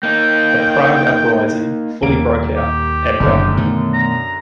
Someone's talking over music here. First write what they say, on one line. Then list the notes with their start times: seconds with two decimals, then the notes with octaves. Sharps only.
The Prague Uprising fully broke out at about noon.
0.03 A#3 D#4 G5
2.02 D#1 D#2 A#3 D7
2.56 G4
3.20 F#1 F#2 B2 D3
3.57 B2 D#3 A3
3.93 A#5